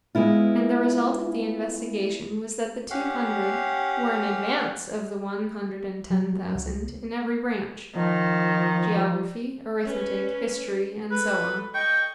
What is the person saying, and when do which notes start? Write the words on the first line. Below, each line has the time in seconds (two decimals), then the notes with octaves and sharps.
And the result of the investigation was that the two hundred were in advance of the one hundred and ten thousand in every branch--geography, arithmetic, history, and so on.
0.15 G#3 B3 E4 F4
2.90 C#4 G4 F5 F#5
6.10 F#3
6.55 C#2
7.95 D#3 F3
9.84 C#4 B4
11.11 A4 B4
11.74 D#5 G5 C#6